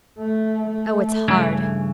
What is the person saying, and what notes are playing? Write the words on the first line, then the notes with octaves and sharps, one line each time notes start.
Oh it's hard.
A3
A3
G2 C#3 E3